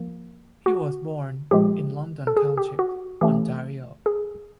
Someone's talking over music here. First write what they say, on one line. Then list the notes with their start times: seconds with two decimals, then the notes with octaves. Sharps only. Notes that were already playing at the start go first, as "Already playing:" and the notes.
He was born in London Township, Ontario.
Already playing: F3 A#3
0.66 F#4
1.51 A#2 F3 G#3 G4
2.27 A4
2.37 G#4
2.57 G4
2.79 F#4
3.21 E3 A3 C#4 G4
4.06 G#4